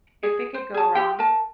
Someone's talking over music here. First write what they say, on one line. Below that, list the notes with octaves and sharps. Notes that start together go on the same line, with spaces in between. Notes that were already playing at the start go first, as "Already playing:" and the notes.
if it could go wrong,
G#4
C5
G#4 A5
G4 G5
A#4 A5